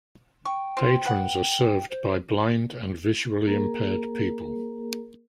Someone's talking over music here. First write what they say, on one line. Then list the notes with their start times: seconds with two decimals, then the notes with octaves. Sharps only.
Patrons are served by blind and visually impaired people.
0.45 G5 C#6
0.77 C4 F4
1.05 B4 F#5
1.90 C5
3.47 A#3 G#4 A#4